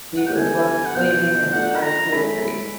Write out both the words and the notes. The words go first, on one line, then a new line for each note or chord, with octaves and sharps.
He was left bleeding and tied to a tree.
F#5
G5
D3 G3 B3 E4 A4 G#5
F#5
B2 F#3 B3 D4 F4 G5
A3 D4 F4 F#5
B5
A#5
G#3 C#4 E4 A4 B5